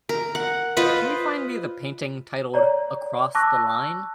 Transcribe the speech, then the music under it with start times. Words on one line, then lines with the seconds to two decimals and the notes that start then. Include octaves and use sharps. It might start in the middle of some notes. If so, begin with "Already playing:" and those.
Can you find me the painting titled Across the Line?
0.09 A#4
0.35 F#5
0.77 F4 B4 C5 D#5
2.54 C#5 D5 A#5
3.35 A5 C#6 D6 E6 F#6 A#6